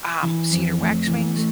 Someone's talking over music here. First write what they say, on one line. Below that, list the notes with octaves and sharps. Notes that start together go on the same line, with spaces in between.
um, cedar waxwings,
E3
F2
A3
E3
A3